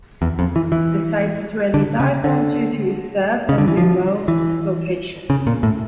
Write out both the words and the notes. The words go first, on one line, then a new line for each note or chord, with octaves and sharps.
The site is rarely dived on due to its depth and remote location.
E2
F2
E3
E3
D3
C#3
D3
C#3
D3
E3
F3
E3
C#3
A#2
A2